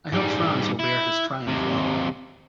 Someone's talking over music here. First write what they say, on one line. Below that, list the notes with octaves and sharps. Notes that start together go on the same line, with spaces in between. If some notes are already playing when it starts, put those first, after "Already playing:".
I hope Franz will bear his triumph well.
G#2 G3
E4
D#2 C3